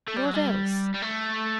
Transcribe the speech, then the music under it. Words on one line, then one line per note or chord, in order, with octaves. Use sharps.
"What else?"
A3
G3
F#3
G3
G3
A3